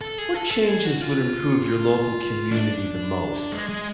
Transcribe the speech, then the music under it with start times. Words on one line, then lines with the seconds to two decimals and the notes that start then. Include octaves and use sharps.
What changes would improve your local community the most?
0.01 A4
0.18 G#4
0.34 A4
0.51 A4
0.68 G#4
0.86 F#4
1.01 F4
2.52 D4
3.52 G#3
3.69 G#3